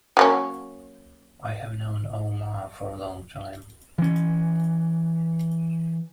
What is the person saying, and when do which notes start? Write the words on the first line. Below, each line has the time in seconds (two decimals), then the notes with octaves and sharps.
I have known Omar for a long time.
0.17 F#3 A#3 C#4
3.98 E3 C#4